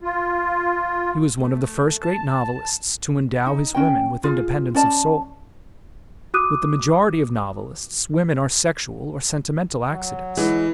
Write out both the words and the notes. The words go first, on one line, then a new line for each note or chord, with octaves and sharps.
He was one of the first great novelists to endow his women with independence of soul. With the majority of novelists, women are sexual or sentimental accidents.
F4
A3
A5
A5
D#4
C#4 F#4 G5
F4 G#4
C#4 D5 A5
F#4 D6 D#6 F#6 D#7
F#3
E3 G#3